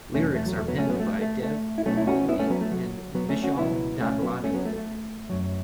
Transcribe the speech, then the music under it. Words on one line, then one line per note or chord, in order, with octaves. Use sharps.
Lyrics are penned by Dev Kohli and Vishal Dadlani.
E2 B2 F#3 A3 C#4
A3
F#3
A3
F#3 B3
A3 C#4
F#3 B3
A3
A3
A3
E4
B1 B2 F#3 A3 C#4
E4
C#4 F#4
B3 E4
A3 C#4
F#3 B3
A3
F#3
F#3 B3
A3 C#4
C#4 F#4
C#2 B2 F#3 B3 E4
A3 C#4
F#3 B3
A3 C#4
F#3 B3
A3
A3
F#2 F#3